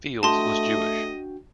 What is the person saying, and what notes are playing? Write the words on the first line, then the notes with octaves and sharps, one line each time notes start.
Fields was Jewish.
A3 D4 F#4 D#5 G5 A5 C6